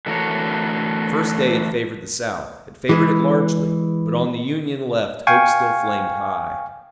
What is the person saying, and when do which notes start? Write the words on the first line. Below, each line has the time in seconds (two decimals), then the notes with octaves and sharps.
The first day had favored the South, had favored it largely, but on the Union left hope still flamed high.
0.06 D3 E3 A3 F#4 A#4 C#5
2.89 E3 G#3
5.27 F5 G5 G#5 C#6